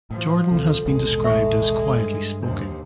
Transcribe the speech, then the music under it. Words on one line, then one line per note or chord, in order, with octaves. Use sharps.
Jordan has been described as "quietly spoken".
A2 F3
D2 C3 A4
A1 D#2 B2 G#3
E5 C#6
G2
D#2 C3 D4